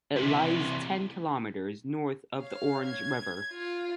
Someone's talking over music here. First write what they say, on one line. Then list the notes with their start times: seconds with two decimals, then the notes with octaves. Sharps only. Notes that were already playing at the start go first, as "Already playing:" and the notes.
It lies ten kilometres north of the Orange River.
0.17 C3 E3
2.39 C#5 F5
2.86 G#6
3.52 F4